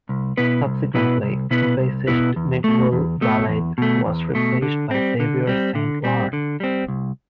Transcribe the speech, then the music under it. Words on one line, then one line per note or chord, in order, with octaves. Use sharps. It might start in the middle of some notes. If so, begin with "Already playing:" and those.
Subsequently, bassist Miguel Valade was replaced by Xavier St-Laurent.
C2
B2 B3 E4 B4
C2
B2 B3 E4 B4
C2
B2 B3 E4 B4
C2
B2 B3 E4 B4
E2
B2 A3
E2
B2 A3
E2
B2 A3
E2
B2 A3
D3
G3 C4
D3
G3 C4
D3
G3 C4
D3
G3 C4
C2